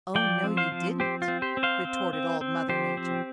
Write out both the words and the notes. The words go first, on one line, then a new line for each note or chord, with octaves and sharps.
"Oh, no, you didn't," retorted Old Mother Nature.
F3 D5 G5
C4
C5 F5
F3
C4 G4 C5
F4
C4
G4 C5
C4
C5 F5
C4
C4
C4
F3 G4 C5
C4